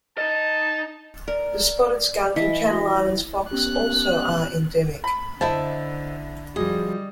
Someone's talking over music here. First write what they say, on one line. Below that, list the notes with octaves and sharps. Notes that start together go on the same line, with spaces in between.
The spotted skunk and Channel Islands fox also are endemic.
D#4 D#5 A5
A#4 D5
E3 E4 D#5 B6
F#4 A#6
B3 C#4 G4 F#6
B5
D3 E4 C5 D#5 E5 A5
F3 G3 F#4 G#4 D#5